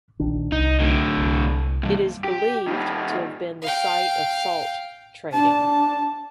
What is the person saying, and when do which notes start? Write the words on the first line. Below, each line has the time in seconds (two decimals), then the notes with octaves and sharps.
It is believed to have been the site of salt trading.
0.20 A#1 D#3 D4
0.52 C2 D#4
0.80 A2 D3
1.17 C2
1.83 C2 G2
2.24 G4
2.68 D#3 G3
3.62 F5 G5
5.33 D4 A5